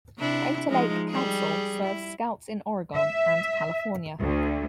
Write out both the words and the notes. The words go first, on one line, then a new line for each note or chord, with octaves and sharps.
Crater Lake Council serves Scouts in Oregon and California.
C3 D4 E4
F3 G#3 D#4
G3 G#4
E4
E5
D2